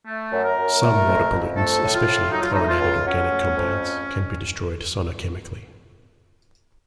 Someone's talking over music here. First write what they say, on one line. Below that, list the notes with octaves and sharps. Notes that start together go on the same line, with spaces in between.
Some water pollutants, especially chlorinated organic compounds, can be destroyed sonochemically.
A3
F#2
A#4
F#2
A3
F2
F2
A3 A4
A2
F4
A2
F#3 D#4
F4
A3 D#4
F4
C#2
F#3 C#4
A3
F2